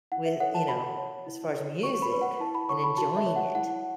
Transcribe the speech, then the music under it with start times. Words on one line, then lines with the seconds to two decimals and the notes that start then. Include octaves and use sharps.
with you know, as far as music, and enjoying it?
0.12 E4 F#5
0.26 E5
0.40 A4 C#5 F#5
0.55 A5
0.68 F#4 B5
0.97 C#5
1.26 E4
1.55 A4 C#5
1.83 F#4 C#6
2.02 B5
2.12 B4
2.22 F#5
2.40 E4 A5
2.55 B5
2.69 C#5 C#6
2.73 A4
2.84 B5
2.98 F#4 A5
3.17 E5
3.26 C#5
3.36 F#5
3.55 E4 F#5